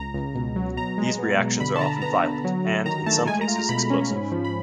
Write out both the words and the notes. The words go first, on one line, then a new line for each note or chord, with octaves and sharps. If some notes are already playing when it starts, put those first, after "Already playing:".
These reactions are often violent, and in some cases explosive.
Already playing: C#2 A#5
C#2
B2
F#3
B2 A#5
G#3
B3
B2
D3 B5
A5
D3 A#5
B3 A#5
D3
F#3
F#3
D#3 A#5
A3 A5
G#3 G#5
A#5
F4
A#5
B2 B5
C#4
G#2
F3
B5